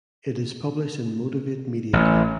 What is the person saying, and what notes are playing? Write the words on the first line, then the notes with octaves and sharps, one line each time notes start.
It is published in Motivate Media Group.
A1